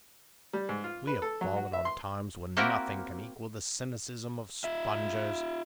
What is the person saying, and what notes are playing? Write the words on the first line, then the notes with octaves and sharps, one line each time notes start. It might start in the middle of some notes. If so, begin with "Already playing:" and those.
We have fallen on times when nothing can equal the cynicism of spongers.
G3
G#2
F4
B4
A4
F#3
F#4
E5
C6
A#3 C4 E4 F#4 G4 A#4
F4 E5